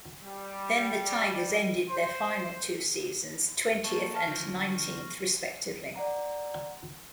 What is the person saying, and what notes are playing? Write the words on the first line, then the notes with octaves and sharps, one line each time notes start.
Then, the Tigers ended their final two seasons twentieth and nineteenth, respectively.
G3
C5
A#3 A4 C#6
A5 F6 A#6
D3 F3
D5 F#5 A#5